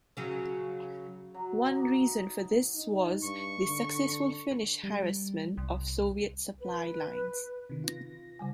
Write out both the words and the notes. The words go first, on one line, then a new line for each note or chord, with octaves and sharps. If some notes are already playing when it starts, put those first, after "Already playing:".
One reason for this was the successful Finnish harassment of Soviet supply lines.
C#3 F#3 C#4
F#3
D#4 E5 D6
D#4
G2 C#6
D3
G3
C2
B4
C3 D#3
F4 A#6
C#3 G3 G#5